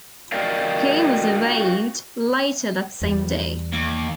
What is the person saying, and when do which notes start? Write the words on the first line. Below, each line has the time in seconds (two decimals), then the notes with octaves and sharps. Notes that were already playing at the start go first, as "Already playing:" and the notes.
He was waived later that same day.
0.32 F#4 G4 A#4 D5 D#5 F5
3.01 E2 G3
3.73 D#2